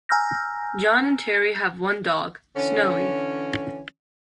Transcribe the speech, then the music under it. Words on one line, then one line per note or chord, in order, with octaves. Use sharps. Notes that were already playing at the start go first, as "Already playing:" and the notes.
John and Terry have one dog, Snowy.
G#5 A#5 E6 F6 G6 A#6
D3 E3 C#4